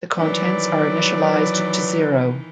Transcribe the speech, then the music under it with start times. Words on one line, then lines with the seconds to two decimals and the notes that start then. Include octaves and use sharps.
The contents are initialized to zero.
0.16 D#3 E3 F#3 B4 D5